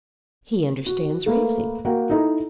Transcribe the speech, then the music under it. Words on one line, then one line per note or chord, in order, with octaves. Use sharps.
"He understands racing."
F#4
A3 A#3 A#4 B4
A#3 F#4 A#4 F#5 G5
D#4 E4 A4 D#5 A#5